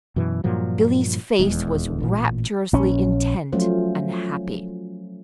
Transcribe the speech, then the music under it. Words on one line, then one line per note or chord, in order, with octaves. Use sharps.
Billy's face was rapturously intent and happy.
F#2 B2 E3
G2 A#2 F3 F#3
D#1 E2 G#3
A1 A#2
A#1 C#4
F3 F#3 A3 C#4 F4 C5